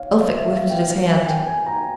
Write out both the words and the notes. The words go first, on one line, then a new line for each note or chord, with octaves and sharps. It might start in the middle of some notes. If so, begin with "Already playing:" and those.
Elphick lifted his hand.
Already playing: C#5 F5
C#5
E5
F5
G5
F5
G#5
G5
G#5
A#5